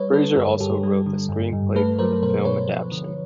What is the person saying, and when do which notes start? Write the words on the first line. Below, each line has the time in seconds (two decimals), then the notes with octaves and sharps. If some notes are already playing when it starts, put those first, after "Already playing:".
Fraser also wrote the screenplay for the film adaptation.
Already playing: G3 B4 C#5
0.13 D3 A4 B4
0.31 A4
0.36 G2 G#4 A#4
0.60 G2 G4 A4
0.83 G3
1.06 D3
1.29 G2
1.53 G2
1.75 A3 A4 B4
1.99 F#3 A#4 C5
2.22 B2 A#4 C5
2.45 B2 B4 C#5
2.69 F3
2.92 D3